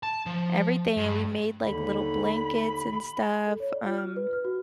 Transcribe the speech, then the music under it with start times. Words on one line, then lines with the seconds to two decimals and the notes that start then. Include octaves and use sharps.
everything, we made, like, little blankets and stuff, um
0.03 A5
0.26 F3
0.97 G2
1.63 D#2 D3 B5
3.47 A4
3.60 C#5
3.73 D5
3.86 F4
3.97 F6
4.16 B4
4.33 F6
4.45 F#4